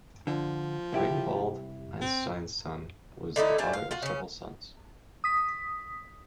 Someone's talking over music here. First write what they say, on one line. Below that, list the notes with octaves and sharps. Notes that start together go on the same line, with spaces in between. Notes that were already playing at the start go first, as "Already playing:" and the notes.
Ragnvald Eysteinsson was the father of several sons.
D3 F3
C2 E4 G4
C4
D3 A3 D#4 E4
G3 A3 D4 G#5
F5
F4 F#4 F5
C#3 C#4
D#6 B6